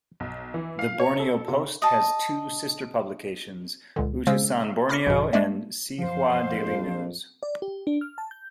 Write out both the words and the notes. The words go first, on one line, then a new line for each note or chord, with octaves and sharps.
The Borneo Post has two sister publications; "Utusan Borneo" and "See Hua Daily News".
B1
E3
F5
C#5
A4
C3
D#5 A5
C#2 A#2 D3
C#3 G#3 C#4 C5 F5 E6
B5 D6 F6 A#6 B6 C#7
A#1 G2 B2
G#3 A#3 D4 D5 E5
F#2 F3 C5 F5
A#1 F2
D5
G4
D4
F6
A5
G6